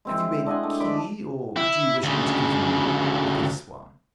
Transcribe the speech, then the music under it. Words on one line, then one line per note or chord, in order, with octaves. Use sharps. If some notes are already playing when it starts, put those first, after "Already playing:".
"Have you a key, or do you wish me to give you this one."
G#3 C4 E4
D4 D#5 F#5 G#5
A3
G#3 D5 B5
E4
D2 C#3